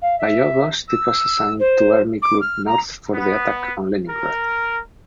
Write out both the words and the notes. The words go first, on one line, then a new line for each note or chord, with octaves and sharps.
By August, it was assigned to Army Group North for the attack on Leningrad.
F5
E5
E6
C5
D6
F6
A#5
B3
A#4